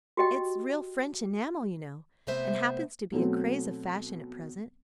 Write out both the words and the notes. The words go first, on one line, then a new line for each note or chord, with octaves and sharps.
It's real French enamel, you know, and happens to be a craze of fashion at present.
F#4 G4 D#5 G5
C3 A3 B3 C5 E5
B2 F#3 A3 C4